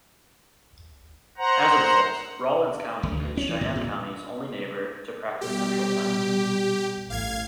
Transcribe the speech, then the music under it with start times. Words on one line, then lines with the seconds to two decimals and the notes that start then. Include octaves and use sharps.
As a result, Rawlins County is Cheyenne County's only neighbor to practice Central Time.
1.38 C5 F#5 A#5
3.03 D2
3.18 D2
3.37 C#4
3.49 E3
3.61 A2
3.75 A#2
5.41 B2 G3 G4
7.10 A1 F5 G#6